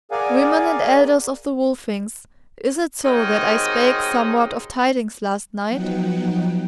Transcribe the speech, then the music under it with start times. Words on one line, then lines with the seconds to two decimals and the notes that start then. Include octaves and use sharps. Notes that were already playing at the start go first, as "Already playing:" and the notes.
"Women and elders of the Wolfings, is it so that I spake somewhat of tidings last night?"
0.11 G#4 A#4 D5 F5 F#5 G#5
3.05 G#2 C3 D#3 F#3 G#3 D#4
5.70 F3 F#3 B3 D#4 F#5 G5